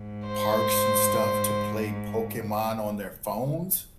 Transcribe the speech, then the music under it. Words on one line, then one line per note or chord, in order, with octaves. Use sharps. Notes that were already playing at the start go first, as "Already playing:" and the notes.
parks and stuff to play Pokemon on their phones.
Already playing: G#2
C5